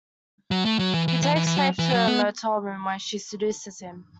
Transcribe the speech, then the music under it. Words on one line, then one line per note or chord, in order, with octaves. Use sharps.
He takes Faith to her motel room where she seduces him.
F#3
A3
F#3
E3
E3
E3
E3
E3
F#3
E3
F#3
B3